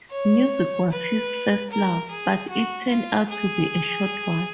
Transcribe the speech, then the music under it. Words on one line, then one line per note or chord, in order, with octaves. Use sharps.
Music was his first love, but it turned out to be a short one.
C#5
B4
A#4
G#4
F#4
F4
G#4